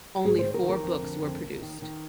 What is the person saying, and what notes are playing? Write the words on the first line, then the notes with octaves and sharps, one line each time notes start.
Only four books were produced.
G#2 G#4
C5
D#3
A#4
D#3
A#4
F2
D3
F2
D#2
D#3
D#3